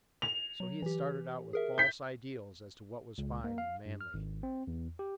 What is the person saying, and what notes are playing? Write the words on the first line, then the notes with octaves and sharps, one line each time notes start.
So he had started out with false ideals as to what was fine and manly.
F7
F#3
E3 G4
G#4 A#4 E5
G6 B6
C#2
A#3
F5
G2
F6
G#1
C4
E2
G4